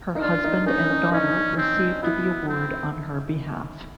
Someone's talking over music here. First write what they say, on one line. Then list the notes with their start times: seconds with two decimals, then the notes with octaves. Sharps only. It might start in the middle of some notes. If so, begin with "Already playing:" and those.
Her husband and daughter received the award on her behalf.
0.15 D#4
0.21 D4 F4
0.44 D#4
0.66 C#4 D#4
0.90 C#4
1.12 C#4 D#4
1.57 C4
2.03 B3 E4
2.48 C4